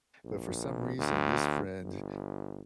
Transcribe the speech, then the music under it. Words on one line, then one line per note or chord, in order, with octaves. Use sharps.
but for some reason, this friend
A#1
D2
G1